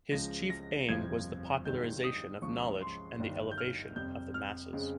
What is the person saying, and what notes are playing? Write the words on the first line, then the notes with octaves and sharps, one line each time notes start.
His chief aim was the popularization of knowledge and the elevation of the masses.
C#2 C#3 F3 G#3 A#6
A#6
G1 F2 C3 F3 G#6
G1 G2 D#3 G#3 G6
D#6
C#2 C#3 F3 C#6
C6
G1 G2 D#3 G3
G6
F6
F2 C3 G3 G6
F6
F2 C#3 G#3